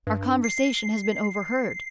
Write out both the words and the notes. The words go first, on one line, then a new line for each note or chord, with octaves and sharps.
"Our conversation has been overheard."
G2
C7